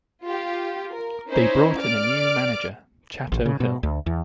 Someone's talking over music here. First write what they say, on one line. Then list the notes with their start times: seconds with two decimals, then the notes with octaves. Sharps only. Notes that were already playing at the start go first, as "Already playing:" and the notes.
They brought in a new manager, Chato Hill.
0.25 F4 G4
0.93 A#4
1.29 C#4 D#4 E4 C5 C#5
1.80 D5 D6 F6 D7
3.32 A1
3.45 C#3
3.60 B2
3.83 D2
4.06 E2